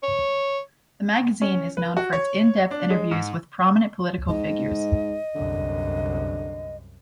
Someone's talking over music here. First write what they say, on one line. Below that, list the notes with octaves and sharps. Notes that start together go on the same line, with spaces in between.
The magazine is known for its in-depth interviews with prominent political figures.
C#5
C#4
B4
F#4
C#5
D4
G#3
G#2
G#2 D#5
C2 F#2 D3